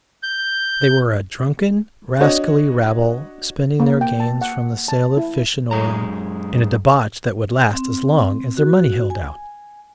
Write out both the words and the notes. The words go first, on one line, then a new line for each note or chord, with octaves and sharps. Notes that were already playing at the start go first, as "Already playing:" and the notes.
They were a drunken, rascally rabble, spending their gains from the sale of fish and oil in a debauch that would last as long as their money held out.
G6
D4 F#4 C#5 D#5
A#3
G5
A5
F#5
A5
E4
F#2 G#3 A#5
C4
F#4
G#5